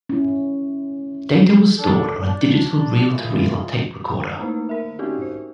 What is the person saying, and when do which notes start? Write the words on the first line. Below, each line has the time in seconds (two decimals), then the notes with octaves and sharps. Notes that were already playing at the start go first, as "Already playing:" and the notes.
Data was stored on a digital reel-to-reel tape recorder.
0.09 C#4 E4
1.78 D4 A4
2.20 D4
3.09 D3 E3 G#3 F4
4.39 A3 A#3 D#4 E4 B4 C5
4.69 A#4 E5
4.99 C4 C#4 D#4 E4 F#4 G4
5.22 C5